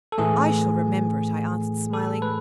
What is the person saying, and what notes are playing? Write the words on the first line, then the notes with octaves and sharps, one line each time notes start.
'I shall remember it,' I answered, smiling.
A4
A2 E3 A3 G#4
A4
B4